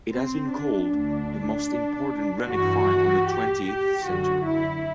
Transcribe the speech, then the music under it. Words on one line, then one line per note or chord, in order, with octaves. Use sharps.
It has been called the most important runic find in the twentieth century.
C4
D4
D2 D3 D4
G2 E3 F#4
G4
G4
F#2 D3 F#4
E4